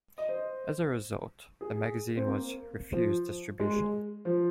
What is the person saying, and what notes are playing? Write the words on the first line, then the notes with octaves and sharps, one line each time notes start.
As a result, the magazine was refused distribution.
D#5
C5
G#4
C4
A#3
F3
G#3
F3